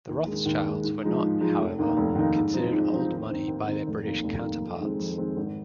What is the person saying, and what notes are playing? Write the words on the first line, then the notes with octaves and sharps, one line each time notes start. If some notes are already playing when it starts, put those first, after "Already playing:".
The Rothschilds were not, however, considered "old money" by their British counterparts.
D#2
D#3 G#3
D#2
D#3 G#3
G#2
F3 G#3 D#4
G#2
F3 G#3 D#4
F1
D#2 D#3 A#3 D#4
F1
D#2 D#3 A#3 D#4
G#2
F3 C4 D#4
G#2
F3 C4 D#4
D#2
D#3 C4 D#4
D#2
D#3 C4 D#4
F1
D#2 D#3 A#3
F1
D#2 D#3 A#3
F2
D#3 G#3 C4
F2
D#3 G#3 C4
G#1